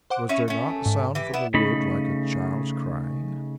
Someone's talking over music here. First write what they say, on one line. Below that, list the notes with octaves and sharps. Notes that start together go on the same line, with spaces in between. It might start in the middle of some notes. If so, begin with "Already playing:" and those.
Was there not a sound from the wood like a child's crying?
C5 F#5 D6
C#4 E4 D#5 C#6
A3 C#4
G#2
E3 G4
B3 E4 D5 E7
C#3 A3 D#4 B5